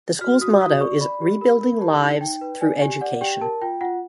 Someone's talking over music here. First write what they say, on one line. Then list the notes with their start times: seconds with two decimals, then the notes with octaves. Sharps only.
The school's motto is Rebuilding Lives Through Education.
0.21 F#4 F6
0.41 F#4 D#6
0.61 F#4 D#6
0.81 D5 C#6
1.01 D5 B5
1.21 G4
1.41 A#4 B5
1.61 A#4
1.81 G4 A5
2.01 D#4
2.21 D#4 G5
2.41 B4
2.61 D5 G#5
2.81 G4 G#5
3.01 D5 F#5
3.21 G4 G5
3.41 A#4 A5
3.62 F4 G5
3.81 F4 F#5